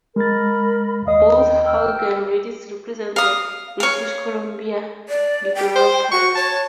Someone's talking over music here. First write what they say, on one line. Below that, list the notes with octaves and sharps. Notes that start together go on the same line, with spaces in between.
Both Hogg and Redies represent the British Columbia Liberal Party.
G#3 A#4 B5 A6
D#2 D#5 F5 D#6
G5
G5 E6 F6
F5 D#6
C#5 F5
D5
G5
C5
F#4 C#6
C#5 A5